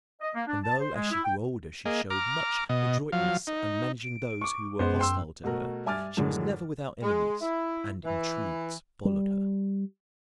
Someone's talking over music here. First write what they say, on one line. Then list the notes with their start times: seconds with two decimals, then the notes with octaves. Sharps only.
And though, as she grew older, she showed much adroitness in managing those who were hostile to her, she was never without enemies, and intrigues followed her.
0.21 D#5
0.35 A#3
0.47 D4
0.64 A5
0.81 C5
0.95 G#3
1.11 E4
1.24 G5
1.85 A#3 G#4 D#5
2.10 A#5 D6 F6
2.69 B2 D#5
3.12 F3 F#3 F5
3.47 D#4
4.03 D7
4.41 C#6 D6
4.79 F#2 G#3 B3 C5
4.99 G5 C6 E6
5.44 B2 A3 F#4 A#4
5.86 G2 E5 G#5 D6 F6 A6
6.17 F#2 A2 D3 G#3
7.03 G#3
7.42 E4
8.04 E3
9.05 G3